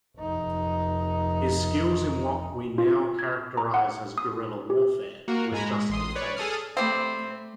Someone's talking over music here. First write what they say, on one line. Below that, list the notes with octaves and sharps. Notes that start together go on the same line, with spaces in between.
His skills in what we now characterize as guerrilla warfare were justly famous.
F1 D#4
F4
G#6
A#5
F#5
D#6
G4
A#3 F#4 A#4
G#2 G#3 G#5 A#5 B5
G#3
A1 C6 D#6
B4 C#5 D5
G#4 A4 D#6 F6
G3 A3 C4